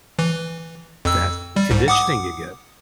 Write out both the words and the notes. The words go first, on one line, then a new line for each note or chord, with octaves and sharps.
that's the conditioning you get.
E3
F2 E6
G3
C2 G#2
F#5 D6 D#6